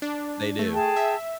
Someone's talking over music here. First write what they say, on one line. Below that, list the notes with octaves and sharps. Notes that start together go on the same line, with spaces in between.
They do.
D4
A3
G#4 G5 A5
E5